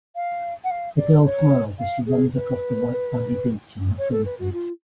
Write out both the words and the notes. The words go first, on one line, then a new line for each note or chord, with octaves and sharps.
A girl smiles as she runs across the white sandy beach in her swimsuit.
F5
F#5
F5
D5
C#5
F5
G#4
B4
C#5
A4
B4
F#4
F4